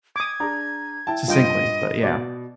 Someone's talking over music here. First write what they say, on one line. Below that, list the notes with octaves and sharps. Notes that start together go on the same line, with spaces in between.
succinctly, but yeah.
D6 D#6 G#6
D4 G#4 A#5
E4 G5 A5
G2 F4 D#5 G5
B2 D5